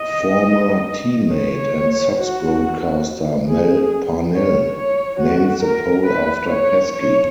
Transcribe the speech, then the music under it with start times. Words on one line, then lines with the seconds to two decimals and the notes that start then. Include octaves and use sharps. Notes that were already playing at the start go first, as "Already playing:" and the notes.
Former teammate and Sox broadcaster Mel Parnell named the pole after Pesky.
Already playing: D#5
1.33 C#5
2.19 F#4
3.49 G#4
4.35 C#5
4.77 C#5
5.20 F#4
5.63 A#4
6.07 B4
6.49 C#5
6.93 C#5